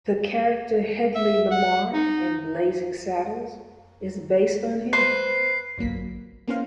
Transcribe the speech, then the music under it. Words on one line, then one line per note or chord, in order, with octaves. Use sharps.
The character Hedley Lamarr in "Blazing Saddles" is based on him.
E5
F#5
D#4
B4 C5 C7
G1 F#3 A#3 B6
A#3 B3 C#4 E4 C5 F5